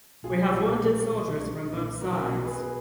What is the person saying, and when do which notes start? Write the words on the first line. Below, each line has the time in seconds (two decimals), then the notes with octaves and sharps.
We have wounded soldiers from both sides.
0.23 B1 F4 G#4
0.53 A#2
0.82 A#2
1.12 B1
1.42 B1
1.72 A#2
2.01 B1 F#4 A#4
2.30 B2
2.45 G#4 B4